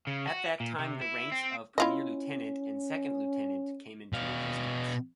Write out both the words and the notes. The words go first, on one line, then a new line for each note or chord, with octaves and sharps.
At that time the ranks of "Premier-Lieutenant" and "Seconde-Lieutenant" came into existence.
C#3
F#4
A#2
C3
E4
C4
C#4 E4 F4 D#5
B2 F5